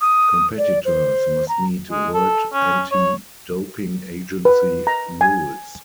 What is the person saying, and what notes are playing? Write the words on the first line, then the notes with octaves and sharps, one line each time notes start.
Competitors must meet World Anti-Doping Agency rules.
D#6
D5
C5
A#5
G#3
A4
C#4
C#5
B4
A#5
G#5